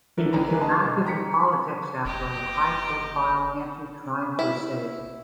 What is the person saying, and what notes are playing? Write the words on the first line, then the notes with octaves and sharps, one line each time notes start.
He became active in politics after a high-profile anti-crime crusade.
D3 E4 A#4 B4
A1 A#5
G3 G#3 A#3 B4
D#5 A5 C6
B2 D3
G5 A#5 B6 C#7
F#1 G4 D#5
E4